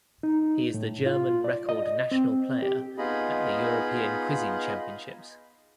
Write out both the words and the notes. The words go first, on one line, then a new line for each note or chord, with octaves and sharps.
He is the German record national player at the European Quizzing Championships.
D#4
A2
F4
D5
D#5
C4
G4
B3 D#4 F4 G#4 D#5 B5